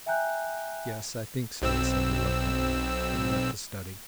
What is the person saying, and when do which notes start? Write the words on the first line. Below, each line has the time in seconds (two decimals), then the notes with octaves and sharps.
"Yes, I think so," he said reluctantly, and left the study.
0.06 E5 G5 G#5 A#5 F#6 G6
1.62 B1 C4 E6